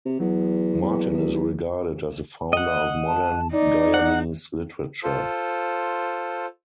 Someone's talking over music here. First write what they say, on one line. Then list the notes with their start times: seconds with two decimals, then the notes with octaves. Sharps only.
Martin is regarded as the founder of modern Guyanese literature.
0.05 C3
0.20 E2 F#3
0.82 E2
2.53 D#5 F#5
3.07 A5
3.52 D#4 D5
3.94 F#5
5.03 F4 A4 C5